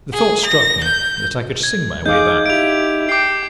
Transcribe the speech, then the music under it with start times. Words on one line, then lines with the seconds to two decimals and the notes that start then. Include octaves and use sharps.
The thought struck me that I could sing my way back.
0.13 G#4
0.46 A#6
0.84 G6
1.63 G#6
2.06 D#4 G#4 F5 D6 G6
2.46 E4 G4 D7 F7
3.09 G5 D6 C7